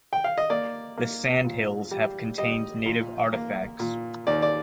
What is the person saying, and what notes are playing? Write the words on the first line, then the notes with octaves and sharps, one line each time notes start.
The sand hills have contained native artifacts.
G5
F5
D#5
A#3 D5
A#3
A#2
G3
G3 D#5
A#2
A#3
A#2
D#2 D5
D5